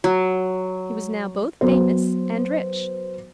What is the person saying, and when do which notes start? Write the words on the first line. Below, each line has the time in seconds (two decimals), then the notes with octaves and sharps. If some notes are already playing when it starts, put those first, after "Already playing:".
He was now both famous and rich.
0.04 F#3
1.61 F#3 B3 C5